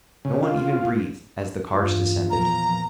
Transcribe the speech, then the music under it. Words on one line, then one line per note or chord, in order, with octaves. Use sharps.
No one even breathed as the cards descended.
C#3
F4
F4
E2 G2 F4
E2 A#2 F3 A#5